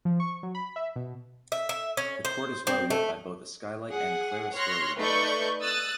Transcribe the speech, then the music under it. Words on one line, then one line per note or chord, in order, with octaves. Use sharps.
The court is well lit by both a skylight and clerestory windows.
F3
C#6
F#3
B5
E5
B2
E5
E5
C#4
C5
C4
A3
G#4 F#5
C#5 C6 F6 F#6 A#6
A3 D#4 B4 D5 C#6 G6
D#6 E6 F#6 A6